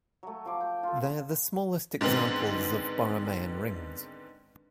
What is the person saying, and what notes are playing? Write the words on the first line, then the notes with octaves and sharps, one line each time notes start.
They are the smallest examples of Borromean rings.
F#3 A3
F3 D6
G5
F4 A4
G#2 D3 D#3 B3 C4